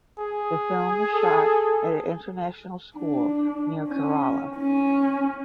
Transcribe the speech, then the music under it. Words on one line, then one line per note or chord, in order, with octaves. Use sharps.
The film was shot at an international school near Kerala.
G#4
A4
D4
C#4
C#4